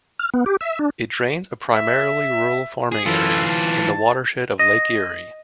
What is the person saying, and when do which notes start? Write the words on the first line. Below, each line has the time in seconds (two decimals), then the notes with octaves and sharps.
It drains a primarily rural farming area in the watershed of Lake Erie.
0.19 F6
0.34 B3
0.46 G4
0.61 E5
0.79 D4
1.74 E5
2.92 G#4
3.06 E3 F4 A4
3.49 A5
4.59 D#5